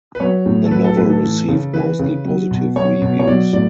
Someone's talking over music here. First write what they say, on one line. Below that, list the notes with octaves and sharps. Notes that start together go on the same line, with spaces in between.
The novel received mostly positive reviews.
B4
F#3 C#5
A2
A4
F#3 B4
A4
A2 B4
A4
E3
C#3
E3 B4
C#3
F#3
B2
F#3 C#5
B2
C#5
F#3 D5
A2 D5